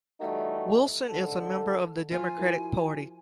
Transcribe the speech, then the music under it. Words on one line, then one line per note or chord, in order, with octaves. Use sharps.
Wilson is a member of the Democratic Party.
E3 G3 A3 D#4 F#4
G#1 D3 A4
F3 F4 G#5
E4 F#4 A#4